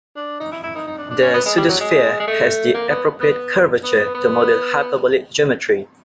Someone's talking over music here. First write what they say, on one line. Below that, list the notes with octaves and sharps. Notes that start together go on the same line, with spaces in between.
The pseudosphere has the appropriate curvature to model hyperbolic geometry.
D4
D#4
E4
E4
D#4
D#4
D4
D4
C#4
B3
G#3
G3
F#3
G#3
G#3
A3
A#3
B3
B3
B3
B3
B3